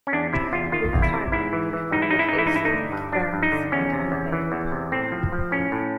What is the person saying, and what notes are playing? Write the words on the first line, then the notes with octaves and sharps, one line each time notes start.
With Tyro, he fathered Aeson, Pheres, and Amythaon.
C#4
E2 D4
C3 E4
E2 F4
D#3 F4
E2
E4
C3
G#2 E4
E3
E3
G#2 D#4
E4
G#2 D#4
E4
D#4
E3
E4
D#4
G2 E4
D#4
D3
G2
F3 D4
G2
D#4
D3
E2 C#4
C3
E2
E3
E2
C3
A2 C4
F3
F3
A2 C#4
A2